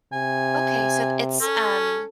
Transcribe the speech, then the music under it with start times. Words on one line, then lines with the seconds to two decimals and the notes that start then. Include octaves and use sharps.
Okay, so it's, um
0.13 C3 G#5
1.41 C#4 A4